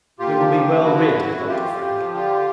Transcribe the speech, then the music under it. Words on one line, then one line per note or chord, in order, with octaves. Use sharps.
We will be well rid of Dr. Frank.
A#2 F4 G4
F3
A#2
F3
D3 E4 F#4
F#2
F#2
F#2
F2 F4 G4
F2
F2
F3
D3 F4 G4